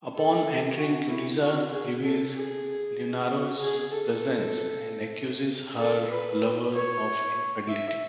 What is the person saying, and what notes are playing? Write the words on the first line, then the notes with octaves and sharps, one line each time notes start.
Upon entering, Cuniza reveals Leonora's presence and accuses her lover of infidelity.
A4
F#4
E4
F#4
G#4
A4
G#4
F#4
G#4
A4
A4
B4
B4
C#5
E5